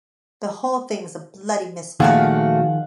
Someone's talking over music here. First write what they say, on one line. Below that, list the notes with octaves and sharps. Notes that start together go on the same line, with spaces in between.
The whole thing's a bloody misfire.
A#2 D#3 F3 A3 F#4 G#4 F5 F#5